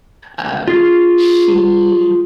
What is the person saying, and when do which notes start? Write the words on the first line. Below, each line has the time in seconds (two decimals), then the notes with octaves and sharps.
Um, she
0.68 F4 G#4